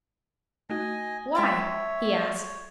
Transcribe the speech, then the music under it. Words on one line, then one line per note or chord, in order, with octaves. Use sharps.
"Why?" he asked.
A3 D#4 F#4 D#5 G#5
G#3 C#5 E5 F#5 G5 A5